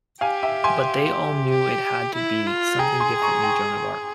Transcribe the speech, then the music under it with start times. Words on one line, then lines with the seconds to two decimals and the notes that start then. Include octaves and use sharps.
But they all knew it had to be something different than Joan of Arc.
0.21 G4 F5 G#5
0.43 E5 G5
0.64 G#5 C6
1.50 G4
2.14 E4
2.47 F4
2.79 G#4 G5 A#5
3.00 G#5 C6
3.22 A#5 C#6
3.43 G5 A#5